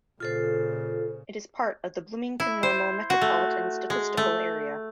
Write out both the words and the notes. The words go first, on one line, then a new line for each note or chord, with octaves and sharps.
It is part of the Bloomington-Normal Metropolitan Statistical Area.
A#2 C#3 F4 A4 C5
E4
C5
F#4
A3
G#3
A3